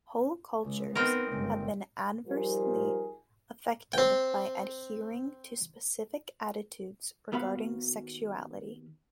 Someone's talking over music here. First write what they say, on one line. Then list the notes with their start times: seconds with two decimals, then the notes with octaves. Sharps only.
Whole cultures have been adversely affected by adhering to specific attitudes regarding sexuality.
0.64 C#2
0.95 B3 C4 D#4 A#4
1.32 G1 C#2
2.27 F3 G3 D#4 F4 G#4 A#4
3.93 C4 G5
7.32 D#2 B3 F#4 F5 B5